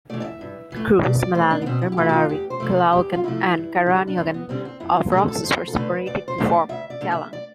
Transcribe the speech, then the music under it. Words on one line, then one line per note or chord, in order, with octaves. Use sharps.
Cruz, Malalinta, Mararigue, Calaocan, and Caraniogan of Roxas were separated to form Callang.
E3 A3 D5
D5
E5
G2
E3 A3
B2 D5
D5
A3 C5
D4
B3
B2 C4
E4
G4
A3 F4
G4
F4
E2 G4
C5
C3 F3 A3
A4
E2 G4
F4
C3 F3 A3 E4
G2
D3 G3
D4
G2 C4
B3
D3 G3 C4
C4
F2 E4
F4
D3 A3 G4
A4
F2 C5
A4
D3 A3 B4
D2 D5
C5
D3 A3
D5
D2 E5
D5
D3 A3
E5
D5